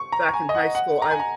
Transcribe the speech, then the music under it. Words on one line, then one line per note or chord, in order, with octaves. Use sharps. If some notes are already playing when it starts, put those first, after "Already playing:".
back in high school, I
Already playing: C#6
A#5
A#5
G#5
D#5
F#5
F#5
A#5
G#5
A#5